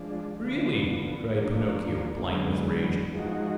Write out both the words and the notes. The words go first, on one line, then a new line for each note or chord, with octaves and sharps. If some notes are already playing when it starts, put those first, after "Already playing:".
"Really?" cried Pinocchio, blind with rage.
Already playing: F3 G#3 D4
D3 F3 B3
F3 A#3 D4
F#2 D3 G#3 B3
F3 G#3 D#4 F#4